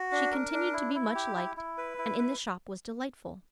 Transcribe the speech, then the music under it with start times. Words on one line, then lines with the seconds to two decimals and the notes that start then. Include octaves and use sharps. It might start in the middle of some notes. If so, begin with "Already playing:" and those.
She continued to be much liked, and in the shop was delightful.
Already playing: F#4
0.12 D4
0.32 A#4
0.53 D4
0.73 E4
0.95 E4
1.15 G4
1.36 E4
1.57 E4
1.78 B4
1.98 E4
2.19 B4